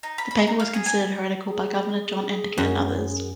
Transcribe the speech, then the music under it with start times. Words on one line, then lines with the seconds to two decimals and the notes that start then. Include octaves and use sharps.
The paper was considered heretical by Governor John Endicott and others.
0.03 D#4
0.18 B5
0.31 B5
0.47 D#4
0.60 F5
0.74 G#4
0.86 G#5
1.49 G#4
2.58 F#2